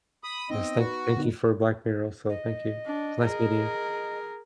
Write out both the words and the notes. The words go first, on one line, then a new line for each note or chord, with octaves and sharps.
Yes, thank thank you for Black Mirror, also. Thank you. It's nice meeting you.
B5 D#6
B3 C4 D#4 D#5
F#4 B4
D3 B3 D#4
D#5
D4
G#4 A#4